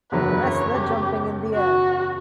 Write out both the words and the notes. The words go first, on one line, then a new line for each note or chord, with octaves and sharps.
Wrestler jumping in the air.
F#1 E2 D3 F#3 B4
C#5
G4
F#4